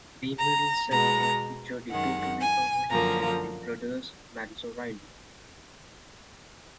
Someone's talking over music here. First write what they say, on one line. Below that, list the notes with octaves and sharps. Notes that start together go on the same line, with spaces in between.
The middle segment featured the totally unrelated The Brothers Matzoriley.
A#5
B2 G#3 B3 A#5
F#2 D#3 G#3 F#5
G#5
F#2 D3 F3 A#3 A#5